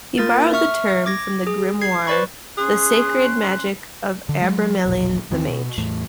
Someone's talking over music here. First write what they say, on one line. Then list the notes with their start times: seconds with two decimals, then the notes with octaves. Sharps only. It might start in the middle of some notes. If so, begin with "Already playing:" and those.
He borrowed the term from the Grimoire "The Sacred Magic of Abramelin the Mage".
0.18 A#3 F4 A#4 A6
0.53 E5 C#6 F6
1.06 D6 G#6 A#6
1.47 G#4
1.81 G#6 C7
2.07 B4 C5 D5 B5 C#6
2.57 C#4 G#4 C6 F#6
4.29 D3
4.42 F#3 G#3
4.86 E1 A#1
5.31 D#2 D#3 F3 C4
5.48 B2
5.78 E2 A2 A3